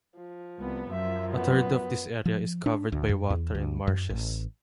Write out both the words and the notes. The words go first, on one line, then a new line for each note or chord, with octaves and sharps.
A third of this area is covered by water and marshes.
F3
C2 B3
F#2 F3 E5
B3
F3
D4
D2
F#2
E2
D2
F#2
A1